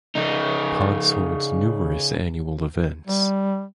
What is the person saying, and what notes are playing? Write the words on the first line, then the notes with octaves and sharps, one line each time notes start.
Ponce holds numerous annual events.
C#3 D#4
G3